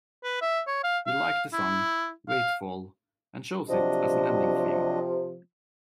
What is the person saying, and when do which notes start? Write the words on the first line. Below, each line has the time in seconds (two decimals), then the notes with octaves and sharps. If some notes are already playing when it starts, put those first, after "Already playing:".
He liked the song "Way To Fall", and chose it as an ending theme.
0.23 B4
0.41 E5
0.67 C#5
0.84 F5
1.07 F5
1.53 E4
2.29 F5
3.69 C3 F3 F#3 D4 D#5